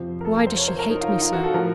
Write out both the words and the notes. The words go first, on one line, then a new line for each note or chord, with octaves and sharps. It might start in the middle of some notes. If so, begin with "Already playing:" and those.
Why does she hate me so?
Already playing: F2 C3 F3 C5
A#4
A4
A#4
C5
C#5
C5
A#4
D#4
F4
D#4
F4
F#4
A4
A2 F3 A#4